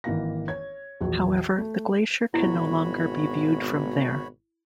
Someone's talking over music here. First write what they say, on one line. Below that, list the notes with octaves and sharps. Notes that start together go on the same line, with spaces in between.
However, the glacier can no longer be viewed from there.
G#1 D#3 E3 A#3 F5 A#6
C#5 G#6
E1 A#1 F#3
A3
G#1 B2 E4 F#4 C#5 B5